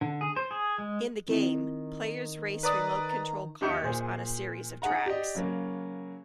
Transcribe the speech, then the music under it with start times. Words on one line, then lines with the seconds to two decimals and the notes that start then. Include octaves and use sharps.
In the game, players race remote control cars on a series of tracks.
0.01 D3
0.21 G#4
0.36 C5
0.51 G#4
0.78 G#3
1.28 D#3 C4 E4
2.63 B4 D5 A#5 D#6
3.61 D#2 D#4 G4 E5 G6 C#7
3.82 A#2 G#4 C5
4.82 D#4 G#4 F#5 A#5
5.06 G4 D5 D#5
5.35 C#3 F#3 A#3